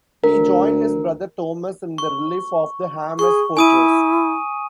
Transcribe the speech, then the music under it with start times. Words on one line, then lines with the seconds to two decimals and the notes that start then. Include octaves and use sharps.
He joined his brother Thomas in the relief of the Hammes fortress.
0.24 D2 A#4
1.98 C#6
3.19 G#4 C#6
3.57 E4 G#5 D#6 D#7